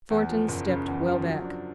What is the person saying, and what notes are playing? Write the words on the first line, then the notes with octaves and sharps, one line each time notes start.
Thornton stepped well back.
E2
F3
F#1
C#3
E2
F3
F#3
D4